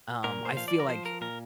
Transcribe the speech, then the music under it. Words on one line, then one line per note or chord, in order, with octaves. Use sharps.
Um, I feel like,
A#2 A#4
C5
F3 F5
D5
A#4
F3 C5
A#4
A#2 A#4